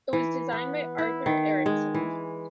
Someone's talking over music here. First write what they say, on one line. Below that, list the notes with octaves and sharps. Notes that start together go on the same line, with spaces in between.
It was designed by Arthur Erickson.
E3
B3
E4
D#3
G#3
E3